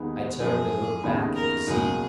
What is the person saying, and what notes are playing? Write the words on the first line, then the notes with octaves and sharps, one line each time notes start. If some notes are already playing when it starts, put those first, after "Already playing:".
I turned and looked back at the sea.
Already playing: D#2 D#3 G#3 B3 D#4
F#2 F3 G#3 G#4
D#2 C#3 G#3 B3 D#4
A#4
C#2 B2 F#3 A#3 G#4